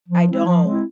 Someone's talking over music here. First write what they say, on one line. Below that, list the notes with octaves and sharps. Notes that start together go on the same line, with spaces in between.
I don't.
F3
G#3 C4 E4
F3
G#3 C4 E4